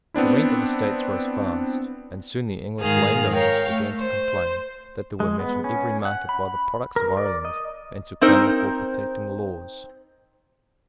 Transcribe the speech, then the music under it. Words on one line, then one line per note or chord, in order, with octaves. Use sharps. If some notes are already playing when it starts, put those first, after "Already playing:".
The rent of estates rose fast; and soon the English landowners began to complain that they were met in every market by the products of Ireland, and to clamour for protecting laws.
B3 C4 D4 E4
G#2 D#3 G#4 F5
A#4 C#5 F5 G5
A3
C5
G#3
B3
C#4
F#5
B5
A#4
D5
D#5
C4 D#4 A#4 C5